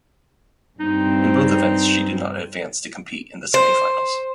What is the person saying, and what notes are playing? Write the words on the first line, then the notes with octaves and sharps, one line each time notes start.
In both events she did not advance to compete in the semifinals.
G2 C4 D#4
C5